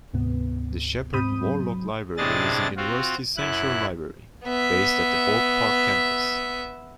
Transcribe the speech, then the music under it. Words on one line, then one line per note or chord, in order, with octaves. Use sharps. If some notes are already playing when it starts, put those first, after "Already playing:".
The Sheppard-Worlock Library is the university's central library, based at the Hope Park campus.
D2 G#2 C3 B3
G#2 C4 B5 D#6 G6 D#7
F#3
A2 C3 D4 G#4 D#5 A6
C4 F4 F#4
F#2 E4 F#6
B3 E5